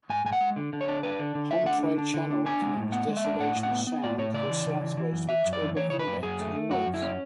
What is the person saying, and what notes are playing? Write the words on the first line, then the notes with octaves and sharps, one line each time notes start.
Homfray Channel connects Desolation Sound to the southwest with Toba Inlet to the north.
G#2 G#5
G#2 G#5
F#5
G#3
D3
D3
C#5
D4
D4 B4
D3
D3
A3 E5
D4 F#5
D3
D4
D3
D4
D4 G#5
G#3
A2
B3 F#5
G#3
E5
D4
A2 F#5
A2
F#5
B3
B3
A2 D5
A2 C#5
C#3 D5
E3
C#3
E3
E3
F#2
E3 E5
F#2
D5
E3
E3 C#5
C#3 C#5
B4
F#2
F#2 G#4
A3
A3
F#2 F#4
F#2
E4
C#4